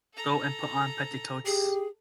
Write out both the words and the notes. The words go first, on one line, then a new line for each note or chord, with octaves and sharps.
Go and put on petticoats.
A4 A#5
G4 G#4